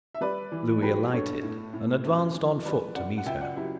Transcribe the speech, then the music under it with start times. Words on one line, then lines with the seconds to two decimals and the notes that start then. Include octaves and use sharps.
Lewis alighted and advanced on foot to meet her.
0.14 E5
0.21 G3 B4 D5
0.52 E3
0.82 F#3 G4 B4
1.13 G2 A4 C#5
1.43 A2
1.73 A2
2.05 F#2
2.34 E3
2.65 G3 B4 D5
2.95 F#2 D5 F#5
3.18 F#5
3.26 C#2 E5 G5
3.41 D5 F#5
3.56 F#3 E4 G4